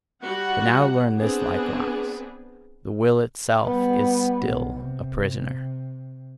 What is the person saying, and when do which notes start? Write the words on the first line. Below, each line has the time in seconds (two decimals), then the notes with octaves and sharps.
But now learn this likewise: the Will itself is still a prisoner.
0.21 G3 F#4 F#5
1.16 B3 C4 D4 G#4
3.64 G3 B3
4.46 B1
4.78 C3